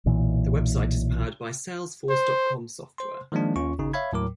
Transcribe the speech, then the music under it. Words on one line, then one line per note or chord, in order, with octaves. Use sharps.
The website is powered by Salesforce dot com software.
B1 A#2 E3
C5
C5 C6
D#3 F3 G#3 A#3 D4
D#2 C#4 F4 C#6
G#1 C#3 D#4
C#5 E5 F5 B5 G#6
D#2 A2 F#3 A#4 D6